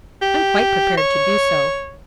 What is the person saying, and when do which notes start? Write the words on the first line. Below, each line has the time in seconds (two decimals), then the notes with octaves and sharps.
I'm quite prepared to do so.
0.22 G4
0.97 C#5